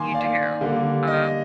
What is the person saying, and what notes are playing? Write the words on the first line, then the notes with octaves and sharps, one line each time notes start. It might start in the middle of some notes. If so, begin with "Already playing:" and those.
You do, um
Already playing: D#3 A#3 G#5 C6 D6
D5 F5
D3 G3 A#3
D#5